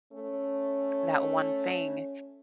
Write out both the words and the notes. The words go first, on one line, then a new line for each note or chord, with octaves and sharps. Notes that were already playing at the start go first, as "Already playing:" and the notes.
that one thing,
A3 C#4